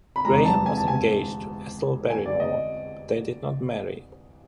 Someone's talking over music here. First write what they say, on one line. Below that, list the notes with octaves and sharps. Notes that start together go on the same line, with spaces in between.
Graham was engaged to Ethel Barrymore, but they did not marry.
B5
E2 C3 E3 G#3 A#5
A5
G#5
A5
G#5
G#5
D5
D#5